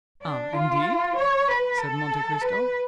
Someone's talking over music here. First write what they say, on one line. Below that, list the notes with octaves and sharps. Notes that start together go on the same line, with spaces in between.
"Ah, indeed?" said Monte Cristo.
D4
F4
C#5
B4
A4
B4